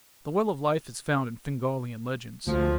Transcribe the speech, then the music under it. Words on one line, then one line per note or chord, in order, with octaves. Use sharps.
The Well of Life is found in Fingalian legends.
D2 F3